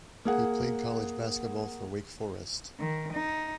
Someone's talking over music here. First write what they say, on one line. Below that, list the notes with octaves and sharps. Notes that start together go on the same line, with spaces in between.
He played college basketball for Wake Forest.
A#3 G#4 F#5
D#3
D#4